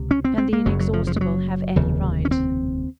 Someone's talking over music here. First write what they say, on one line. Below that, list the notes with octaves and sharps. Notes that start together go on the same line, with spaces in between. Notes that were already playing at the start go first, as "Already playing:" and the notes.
Can the inexhaustible have any right?
Already playing: C#2 C3
C#4
C4
C4
A#3
F#1 F#2 C#3 F#3
F#3
F3
F3
G#3
F#3
F1 D#2 C#3
C#4
C4